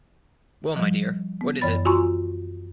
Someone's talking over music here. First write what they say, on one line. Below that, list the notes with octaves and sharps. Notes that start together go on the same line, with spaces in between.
Well, my dear, what is it?
F3 G3
B3
F#2 E3 C#5 D5 B5 A6
F4 F#4 G#5 A#5 C6 C#6